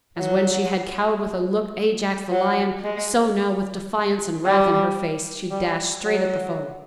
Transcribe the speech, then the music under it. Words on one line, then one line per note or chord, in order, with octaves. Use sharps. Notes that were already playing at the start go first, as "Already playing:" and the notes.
As when she had cowed with a look Ajax, the lion, so now, with defiance and wrath in her face, she dashed straight at the foe.
F#3
F#3
G#3
G3
G3
F#3